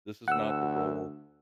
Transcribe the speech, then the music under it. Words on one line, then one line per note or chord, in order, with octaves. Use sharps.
this is not the role
D2 F#5 E6